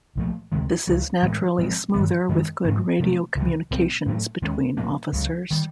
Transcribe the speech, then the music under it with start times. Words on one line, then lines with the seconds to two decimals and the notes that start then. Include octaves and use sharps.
This is naturally smoother with good radio communications between officers.
0.15 C2 A#2 F3 A3
0.52 D2 C3 D#3 G#3
0.87 C#2 C#3 F#3
1.22 A2 E3 G#3 B3
1.58 A#2 F3 G#3 C4
1.94 G2 D#3 G#3 B3
2.29 F#2 D#3 G#3 C#4
2.64 G#2 E3 A3
3.00 C3 F3 A3
3.35 C#2 C3 E3
3.71 C2 A#2 G3 C4
4.06 A2 F#3 A3
4.42 D#2 D#3 G#3 C#4
4.77 A#2 F#3 A#3 D4
5.12 C#2 C#3 F#3
5.51 D#3 G3